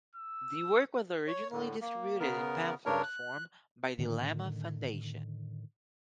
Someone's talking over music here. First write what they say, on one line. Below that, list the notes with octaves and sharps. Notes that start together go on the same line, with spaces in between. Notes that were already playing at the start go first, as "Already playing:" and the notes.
The work was originally distributed in pamphlet form by the Lama Foundation.
E6
C#5
A2 D3
A#3
C#3 B3 A#4
G2 C#3 D4 A#4 C#5
F#6
A2 D3 D#3